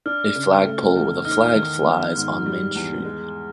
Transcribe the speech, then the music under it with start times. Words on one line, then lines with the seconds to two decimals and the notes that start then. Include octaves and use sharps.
A flag pole with a flag flies on main street.
0.06 D4 F6
0.36 C#3
0.65 A3
0.96 E2
1.25 D#4 F6
1.56 D#3
1.86 B3
2.15 G#2
2.46 G3
2.75 E2
3.05 G#3